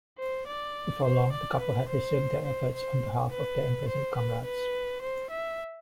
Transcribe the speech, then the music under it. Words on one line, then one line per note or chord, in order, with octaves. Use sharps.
Before long, the couple had resumed their efforts on behalf of their imprisoned comrades.
C5
D5
C5
D5
B4
C5
C5
C5
B4
C5
B4
B4
C5
E5